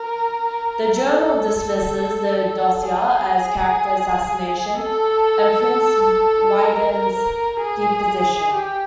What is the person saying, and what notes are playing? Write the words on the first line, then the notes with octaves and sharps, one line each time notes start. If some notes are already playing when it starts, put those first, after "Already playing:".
The "Journal" dismisses the dossier as character assassination and prints Wigand's deposition.
Already playing: A#4
A4
G#4
A4
A#4
G#4
G4